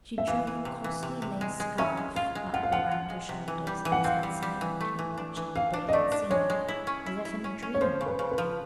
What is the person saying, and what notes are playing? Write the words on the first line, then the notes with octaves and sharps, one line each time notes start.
She drew her costly lace scarf up around her shoulders, and sat silently watching the brilliant scene, as if in a dream.
E5
E3 F5
E3
C3
E3
C3
C3
G#3
G#3
C#4 E5
G#3
F4 F5
G#3
F4 F#5
F5
F4 F#5
F4
G#3
C3
E3
G3
E3
F#5
C4 F5
G3
G3
E3
A3
E3
D4
E3
E3 F5
D4
D#5
A3 D5
D4
G#3 C#5
G#3
E4
C#4
E4
E4
C#4
C#4
C#5
F3 C5
C#3
B4
C#3
B4
F3